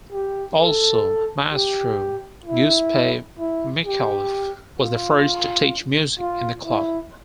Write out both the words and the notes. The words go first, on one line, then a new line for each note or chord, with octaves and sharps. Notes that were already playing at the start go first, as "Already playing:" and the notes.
Also, Maestro Giuseppe Micallef was the first to teach music in the club.
G4
A4
G4
E4
E4
G4
F4
F4
E4